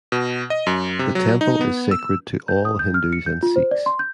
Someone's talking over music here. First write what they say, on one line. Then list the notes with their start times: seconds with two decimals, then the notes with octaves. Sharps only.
The temple is sacred to all Hindus and Sikhs.
0.12 B2
0.50 D#5
0.67 F#2
0.99 C3
1.15 F#3
1.41 D#4
1.61 B3
1.91 E6
2.48 G6
2.65 D#6
2.79 G6
2.94 F6
3.13 C#7
3.26 G6
3.43 F4
3.56 C5
3.71 D5
3.86 C6
3.99 G6